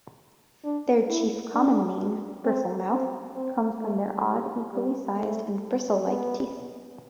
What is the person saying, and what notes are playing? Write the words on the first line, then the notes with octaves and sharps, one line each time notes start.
Their chief common name, bristlemouth, comes from their odd, equally sized, and bristle-like teeth.
D4
E4
D4
C4
C4
C4
A3
G3
G3
A3
B3